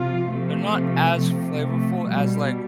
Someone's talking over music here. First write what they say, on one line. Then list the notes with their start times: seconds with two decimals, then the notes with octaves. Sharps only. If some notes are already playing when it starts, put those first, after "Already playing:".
they're not as flavorful as, like,
Already playing: C3 F3 F4
0.31 C3 F3 A3
1.19 C3 F3
1.62 A3
2.05 B2 G3